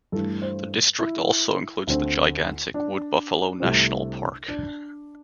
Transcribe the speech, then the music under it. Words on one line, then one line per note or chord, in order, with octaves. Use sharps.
The district also includes the gigantic Wood Buffalo National Park.
G2 E3 A3 A4
C5
E4
D2 D3 A3 C4
D4
C2 C3 A3 C4
D4